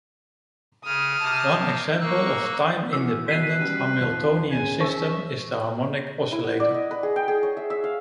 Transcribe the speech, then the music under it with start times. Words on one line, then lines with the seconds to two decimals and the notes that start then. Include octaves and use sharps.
One example of time independent Hamiltonian system is the harmonic oscillator.
0.85 C#3 D#6 F6
1.20 C3 A5
2.00 A#3 A#4 C#6 E6 F#6
2.93 E3 C#4 F#4 D6 E6
3.28 B2 B4 B6 C7 D#7
3.58 G3 C#4 F#4
4.00 D#2 F3
4.50 C#3 G#5
4.80 C5 E5 C#6
6.32 E4
6.44 F#5
6.60 D5
6.74 D#5
6.91 B4
7.03 G#4
7.16 G5
7.28 G#4
7.43 C#5
7.57 E5
7.70 E5
7.84 F5